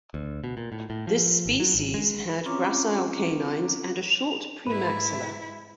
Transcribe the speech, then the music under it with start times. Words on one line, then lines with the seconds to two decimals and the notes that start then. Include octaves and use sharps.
This species had gracile canines and a short premaxilla.
0.14 D2
0.44 B2
0.57 A#2
0.72 A2
0.90 A2
1.07 F3
1.46 G#1
1.60 F#3
1.74 G#1
1.94 G#3
2.46 C4 C#4 F4 C#5 A#5 D6
4.67 G#2 E4 B4